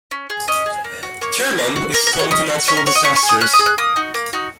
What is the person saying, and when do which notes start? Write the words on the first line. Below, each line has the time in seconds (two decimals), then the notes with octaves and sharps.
Kerman is prone to natural disasters.
0.11 C#4
0.30 G#4
0.48 C#4 D#5
0.66 G#4
0.84 A#3
1.03 F#4
1.21 A#3 C#5
1.39 F#4
1.58 A#3
1.76 F#4
1.94 A#3 A#4
2.07 A#4
2.13 F#4
2.19 C#5
2.31 C#4 D#5
2.50 F#4
2.68 C#4 C#5
2.77 A#4
2.86 F#4 C#5
2.95 D#5
3.04 C#4 C#6
3.16 C#6
3.23 G#4
3.29 D#6
3.41 C#4 F#6
3.53 D#6
3.59 G#4
3.66 F#6
3.78 A#3 D#6
3.96 D#4 F#4
4.14 A#3
4.33 D#4 F#4